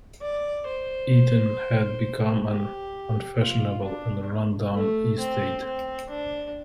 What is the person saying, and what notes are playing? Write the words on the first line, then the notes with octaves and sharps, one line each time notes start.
Eaton had become "an unfashionable and run-down estate".
D5
C5
G4
F4
D4
A3
C4
C4
D4